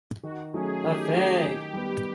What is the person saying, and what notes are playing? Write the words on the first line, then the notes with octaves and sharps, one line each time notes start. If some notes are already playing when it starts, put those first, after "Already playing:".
The Fig.
D#3 F#4
F#3 A3 C#4 G#4
D#3 G4
F#3 A3 C#4 G4
D#3 G4
G3 B3